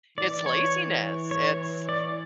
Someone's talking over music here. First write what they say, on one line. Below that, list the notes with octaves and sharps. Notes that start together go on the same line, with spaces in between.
it's laziness, it's
E3 D5
C#5
C#5
D5